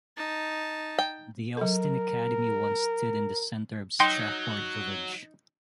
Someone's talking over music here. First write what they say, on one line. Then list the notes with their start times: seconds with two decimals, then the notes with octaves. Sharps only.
The Austin Academy once stood in the center of Strafford village.
0.17 D#4 A5
0.99 G5
1.57 F#3 A4 A#4
4.00 F#3 D#4 G5 C6